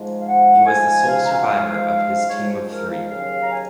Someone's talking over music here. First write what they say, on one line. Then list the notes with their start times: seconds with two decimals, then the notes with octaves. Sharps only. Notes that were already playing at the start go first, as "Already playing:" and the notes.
He was the sole survivor of his team of three.
Already playing: G#2 F3 G#3
0.18 F5
0.27 F#5
0.66 G#2 F3 G#3 G#5
1.07 F5
1.26 A#5
1.33 G#5
1.40 F#5
1.48 G#2 F3 G#3 F5
2.29 G#2 F3 G#3 C#5
2.49 C5
2.70 A#4
2.89 F5
3.10 D#2 C#3 F#3 F5
3.40 A#5
3.51 G#5